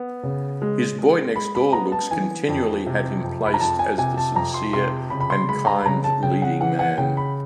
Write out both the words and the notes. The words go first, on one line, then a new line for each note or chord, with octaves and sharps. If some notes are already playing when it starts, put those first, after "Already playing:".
His boy-next-door looks continually had him placed as the sincere and kind leading man.
Already playing: B3
C#3
G#3
G#3
G#3 B5
B5
B3 A#5
A5
E3 G#5
F2
C3
F2
B5
A#5
F2 A5
G#5
C3 G#5
A5
F2 A#5
C6
C3 C6
C#3 B5
B5
C6
G#3 B5
A#5
B5
C#3 A#5
A5
C#3 G5
F#5
E3 F#5
F#5
C#3 G5
B5